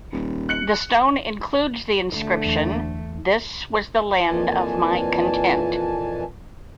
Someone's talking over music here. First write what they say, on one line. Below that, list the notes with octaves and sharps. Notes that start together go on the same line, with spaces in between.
The stone includes the inscription "This was the land of my content".
D#1
F#6 C#7 F#7
D2 D3 A3
E2
F2 A#2 E3 G#5 A5